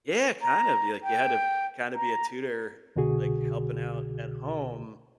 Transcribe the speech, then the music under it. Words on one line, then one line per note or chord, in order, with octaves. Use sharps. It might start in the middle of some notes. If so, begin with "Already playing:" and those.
Yeah, kind of you, like you had to kinda be a tutor, like, helping out at home
A#5
G5
A#5
C2 B2 D3 F#4 G#4